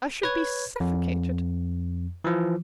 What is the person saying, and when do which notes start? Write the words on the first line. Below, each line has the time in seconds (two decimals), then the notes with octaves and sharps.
I should be suffocated.
0.23 B4 C#5 G#6
0.80 F2
2.24 E3 F3